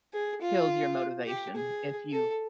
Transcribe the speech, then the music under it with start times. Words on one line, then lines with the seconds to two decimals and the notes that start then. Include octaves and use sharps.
kills your motivation if you
0.14 G#4
0.42 F4
1.27 G4
1.55 G#4
2.12 A4